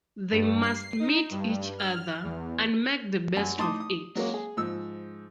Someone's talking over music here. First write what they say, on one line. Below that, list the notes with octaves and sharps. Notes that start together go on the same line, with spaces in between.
They must meet each other, and make the best of it.
G2
C7
D#4
G2
F6
E2
F#2 G#5
A2 D#4 A5 C6 D6 D#6
D#6
F#3 G#3 A#3 C#4
G#4
G#2 F3 E6